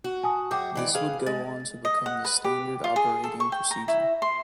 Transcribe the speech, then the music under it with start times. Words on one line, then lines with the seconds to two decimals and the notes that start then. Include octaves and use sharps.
This would go on to become the standard operating procedure.
0.04 F#4
0.23 G#5 A5 D#6
0.51 F#2 F#4 G#4 G5 D6 G6
0.75 G#2 E3 D5
0.95 G#4 B4 F5
1.26 G#3 A6
1.85 D#5
2.06 F#5
2.25 B4
2.44 G4
2.84 F4
2.96 G#4
3.24 A4
3.40 C#6
3.52 G5
3.71 A#5
3.88 E4
4.22 C6